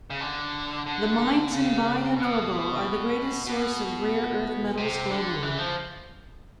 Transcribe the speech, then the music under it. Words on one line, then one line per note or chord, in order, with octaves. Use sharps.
The mines in Bayan Obo are the greatest source of rare-earth metals globally.
C#3
D3
D3
C#3
B2
B2
C3
D3
E3
F3